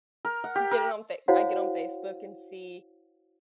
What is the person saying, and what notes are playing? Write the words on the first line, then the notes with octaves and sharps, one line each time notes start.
Get it on Fa I get on Facebook and see,
A#4
F#5
G4
A#4
E4 F#4 C5 C#5 F5 F#5